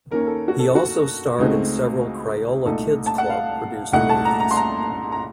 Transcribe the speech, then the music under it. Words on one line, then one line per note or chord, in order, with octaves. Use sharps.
He also starred in several Crayola Kids' Club-produced movies.
D#2 D#3 A#3 C#4 A#4
A4
F#4
A4
F#4
C#2 C#3 A3 C4 D#4
C2 A#2 A3 D#4 A4
A5
F#5
F5
C2 A#2 A3 D#4 F#5
A5
A#5
A#5
C6
A#5
A#5